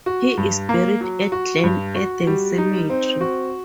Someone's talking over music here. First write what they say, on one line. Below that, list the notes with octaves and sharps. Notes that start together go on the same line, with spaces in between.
He is buried at Glen Eden Cemetery.
F#4
G2
A#3
F#3
F#4
G2
F#4
G3
D#4
C4
F#4